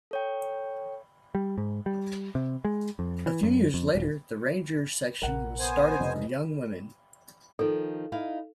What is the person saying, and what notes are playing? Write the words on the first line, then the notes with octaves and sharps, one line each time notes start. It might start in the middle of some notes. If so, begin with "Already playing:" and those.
A few years later the Ranger section was started for young women.
A4 C#5 G5
G3
G#2
G3
C3
G#3
F2
E3
F#2
F2
D#1
A#1 C3 A#4 F#5
B3 C5 G#5
F1 C#3 D#5
D#3 F3 A4
D#4 E4 F5